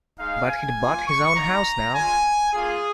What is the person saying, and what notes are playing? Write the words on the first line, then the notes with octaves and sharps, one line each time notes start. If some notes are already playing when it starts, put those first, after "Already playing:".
But he'd bought his own house now.
G#3 D#4 F5
G#5
A#3 F4
C#6
A#3 D#4 A#5
G#3 C#4 F4 G#5
A#3 F4 G#4